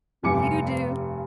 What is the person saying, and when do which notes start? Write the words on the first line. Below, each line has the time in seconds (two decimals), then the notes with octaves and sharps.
You do.
0.23 F1 G2 G#5 D6 C#7